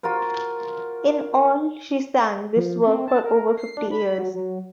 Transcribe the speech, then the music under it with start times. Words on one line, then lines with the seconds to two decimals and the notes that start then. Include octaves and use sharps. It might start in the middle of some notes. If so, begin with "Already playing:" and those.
In all she sang this work for over fifty years.
0.03 F4 F#4 A#4 C5
2.56 F3
2.87 C4
3.08 A5
3.24 A#4
3.58 C7
3.77 D4
3.91 B5
4.18 F#3
4.34 F#3